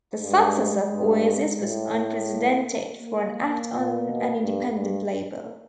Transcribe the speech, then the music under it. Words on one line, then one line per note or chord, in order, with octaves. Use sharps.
The success of Oasis was unprecedented for an act on an independent label.
G2 G#3
G2
A2
A#3
A#3
A#2
B2
G2
G2